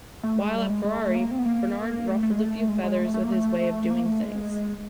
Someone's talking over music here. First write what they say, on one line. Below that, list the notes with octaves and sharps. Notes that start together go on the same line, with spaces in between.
While at Ferrari, Barnard ruffled a few feathers with his way of doing things.
A3
G#3
G3
G#3
G#3
A3
A#3
C4
B3
A#3
A3
A3
G#3
A3
G#3
G#3
A3
A3
A#3
A3
A#3
A3
G#3